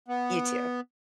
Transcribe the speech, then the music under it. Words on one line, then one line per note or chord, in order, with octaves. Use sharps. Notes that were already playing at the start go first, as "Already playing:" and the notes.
You too.
B3